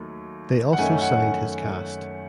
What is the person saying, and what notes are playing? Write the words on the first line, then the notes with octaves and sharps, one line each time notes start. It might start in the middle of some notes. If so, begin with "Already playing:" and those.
They also signed his cast.
Already playing: D#2 F#3 A3 D#4
F#5
F#2 D#3 A3 C#4 G#5
F#5